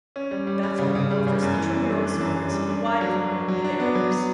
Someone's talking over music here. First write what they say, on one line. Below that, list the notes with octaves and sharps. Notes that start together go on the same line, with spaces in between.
Bethel offers Intramural sports in a wide variety of areas.
C#4
G3
G3
G3
C#3
C#3
G3
C#3
F#2
E3
G3
D4
E3
F#2
G3
G3
D4
D4
F#3
F#3
F#3
F#3
D4
B3
F#3
F#3